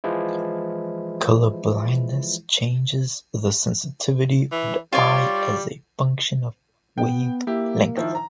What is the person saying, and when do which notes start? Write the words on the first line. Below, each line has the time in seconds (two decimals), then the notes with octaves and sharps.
Color blindness changes the sensitivity of the eye as a function of wavelength.
0.04 E3 F3 G#3 E4
4.52 E3
4.93 G3 F4 C#5 D5
6.98 B3 G5
7.47 A#3 E4 G4
7.97 D#3 F3 E4
8.15 A#5